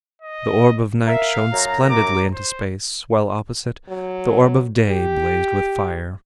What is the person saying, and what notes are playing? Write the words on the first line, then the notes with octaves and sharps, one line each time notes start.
The orb of night shone splendidly into space, while opposite, the orb of day blazed with fire.
D#5
A#4 E5 F5
F#2 A#5
D6
C5
F#3
G4